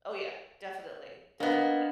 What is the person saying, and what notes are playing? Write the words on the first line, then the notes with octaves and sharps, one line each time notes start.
Oh, yeah. Definitely. Definitely.
A#3 B3 D4 D#5